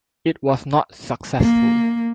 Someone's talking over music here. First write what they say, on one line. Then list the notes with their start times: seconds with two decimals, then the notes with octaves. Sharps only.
It was not successful.
1.40 A#3